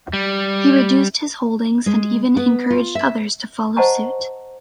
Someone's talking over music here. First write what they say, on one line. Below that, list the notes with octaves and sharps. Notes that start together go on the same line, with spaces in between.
He reduced his holdings and even encouraged others to follow suit.
G3
G#3
B3
F4
E5
C5 D#5 F#5 A5 A#5 C#6